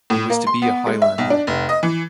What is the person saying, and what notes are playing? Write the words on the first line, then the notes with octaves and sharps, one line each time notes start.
He was to be a Highlander.
A2
A#3
C6
B3
G#3
E5
B1
D4
F1
D#5
E3